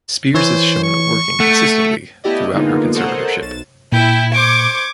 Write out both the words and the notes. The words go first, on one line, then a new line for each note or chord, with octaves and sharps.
Spears is shown working consistently throughout her conservatorship.
E3 C5 C#5
C#6
A3 F#5
A3 B3 E4 G4 D5 D#5
D3 G#3 A#3 B3 D#4 F4
A4 A#4 C5 C#5 D#5 F#5
B1 A6 E7
A#2 E4 G5
C5 C#6 D6 G#6 D7